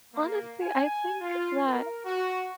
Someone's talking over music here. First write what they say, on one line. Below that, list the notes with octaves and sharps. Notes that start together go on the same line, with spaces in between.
Honestly, I think that,
A#3
G#5
F4
A#4
F#4